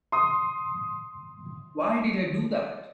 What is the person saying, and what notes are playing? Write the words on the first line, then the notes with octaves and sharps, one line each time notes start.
Why did I do that?
C6 D#6